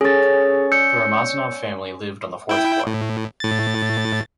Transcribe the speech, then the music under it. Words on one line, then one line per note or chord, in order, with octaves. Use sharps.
The Ramazanov family lived on the fourth floor.
C#4 G#4 A4 C#5 A6
D5 E6 G6 C#7
E4 G5
A2
A2 A6